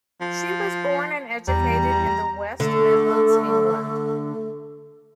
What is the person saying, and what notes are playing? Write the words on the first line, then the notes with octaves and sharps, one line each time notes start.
She was born and educated in the West Midlands, England.
F3
E2 G3 A#5
D3 A3